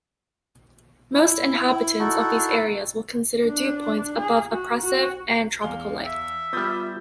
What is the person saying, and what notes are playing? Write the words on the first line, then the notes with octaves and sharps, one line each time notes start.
Most inhabitants of these areas will consider dew points above oppressive and tropical-like.
E4
D#4 F#4 A4
D4
G#4
F#4
F#4
E2 F5 G7
E5
G3 B3 F4 D#6 G6 A6